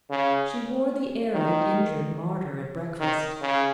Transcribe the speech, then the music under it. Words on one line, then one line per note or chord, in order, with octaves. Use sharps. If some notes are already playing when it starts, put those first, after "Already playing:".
She wore the air of an injured martyr at breakfast.
C#3
D#3
D#3
C#3